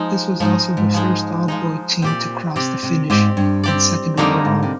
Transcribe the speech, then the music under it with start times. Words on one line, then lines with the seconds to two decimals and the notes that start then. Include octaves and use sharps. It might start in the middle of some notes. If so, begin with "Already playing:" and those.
This was also the first all-boy team to cross the finish, and second overall.
Already playing: F3 G#3 D#4
0.40 G#2 F3 G#3 D#4
0.77 G#2
0.94 F3 G#3 D#4
1.48 F3 G#3 D#4
2.02 A#2 C4 G4 D5
2.56 C3 C4 G4 D5
2.83 C3
3.10 G#2 C4 G4 D5
3.37 G2
3.64 C4 G4 D5
4.17 F2 D3 G3 A#3 D#4 A#4
4.45 G#2
4.63 C3